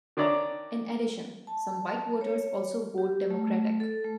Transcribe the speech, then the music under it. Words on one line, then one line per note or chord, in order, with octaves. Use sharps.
In addition, some white voters also vote Democratic.
D#3 D4 C#5 D5 E5 A#5
A5
C#5
G4
A3
A4
A3